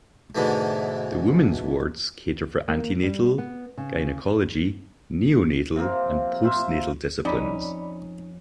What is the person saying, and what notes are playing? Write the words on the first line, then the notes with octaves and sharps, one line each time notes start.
The women's wards cater for antenatal, gynaecology, neonatal, and postnatal disciplines.
G#2 B2 D3 E3 A3
A#3
G3
B3
C#3
C3 F3 A#3
F4 C5 E5
F2 C#4 D#4 D5 B5